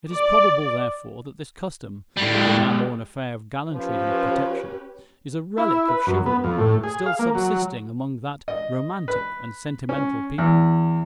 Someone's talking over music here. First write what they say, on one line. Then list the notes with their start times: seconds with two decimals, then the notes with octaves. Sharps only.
It is probable, therefore, that this custom, though now more an affair of gallantry than of protection, is a relic of chivalry still subsisting among that romantic and sentimental people.
0.12 D5
2.17 A2 G3
2.34 G#3 G4
3.72 F3 C#4 G4 B4
5.58 E4
5.88 B4
6.07 F#2
6.26 B3
6.44 F2
6.58 A2
6.84 G#4
7.06 F5
7.19 A#3
7.35 F#3
8.48 D#5
9.08 B4
9.89 C#4
10.38 E2